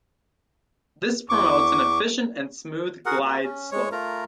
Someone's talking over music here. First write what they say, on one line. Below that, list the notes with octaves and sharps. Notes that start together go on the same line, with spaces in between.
This promotes an efficient and smooth glide slope.
E2 C#6 D6
F#4 G#4 A#4 F#5
A#3 F#4
C#4
G#3 C#5
A3 F4 A#4 A#5